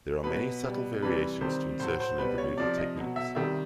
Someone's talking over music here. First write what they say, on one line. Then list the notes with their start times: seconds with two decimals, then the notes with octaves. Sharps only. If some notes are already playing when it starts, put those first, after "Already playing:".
There are many subtle variations to insertion and removal techniques.
0.24 B2 F#3 B4
0.63 B2 G3
1.02 C3 E3 G3 B4
1.41 C3 D#3 G3 C5
1.79 A2 F#3 C5
2.00 C5
2.19 B2 G3 B4
2.38 C#5
2.57 C3 F3 D5
2.78 D#5
2.96 B2 F#3
3.16 E5
3.35 C3 D#3 G3 E5